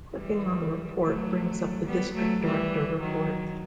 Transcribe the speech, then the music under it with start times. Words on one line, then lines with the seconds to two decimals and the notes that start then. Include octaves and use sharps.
Clicking on the Report brings up the District Director report.
0.14 E3 G3
1.00 F#3 A3
1.86 G3 B3
2.14 F#3 A3
2.44 E3 G3
3.00 D#3 F#3